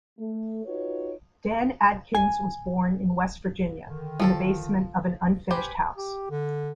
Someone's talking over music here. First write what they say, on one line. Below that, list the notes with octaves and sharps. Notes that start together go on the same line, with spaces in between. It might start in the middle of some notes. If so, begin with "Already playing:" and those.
Dan Adkins was born in West Virginia, in the basement of an unfinished house.
A3
D#4 F4 F#4 B4 C#5
G#5
D3 D#3
F3 A4 A5
G4 B4 C5 G#5 B5
G4
D3